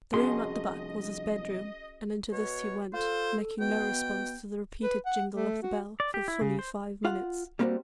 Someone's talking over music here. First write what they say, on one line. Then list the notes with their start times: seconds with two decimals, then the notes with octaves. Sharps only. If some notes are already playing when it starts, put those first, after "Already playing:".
The room at the back was his bedroom, and into this he went, making no response to the repeated jingle of the bell for fully five minutes.
0.14 C2 F2 C#4 F#4 G#4 D#5 C6
2.32 B2 C#5
2.94 F4 A4 C5
3.60 B2 B3 G5
4.83 B4
5.06 F#5
5.33 A3
5.63 F#4
6.00 D5
6.14 G4
6.28 E4
6.41 C#3
6.59 C5
7.05 F4 F5 F#5
7.59 G3 A#3 C4 D#4 F#4